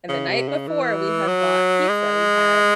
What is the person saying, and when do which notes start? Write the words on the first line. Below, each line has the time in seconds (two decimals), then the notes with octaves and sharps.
And the night before, we had bought pizza, we had
0.09 C#3
0.29 C3
0.48 C#3
0.68 E3
1.28 F#3
1.89 G#3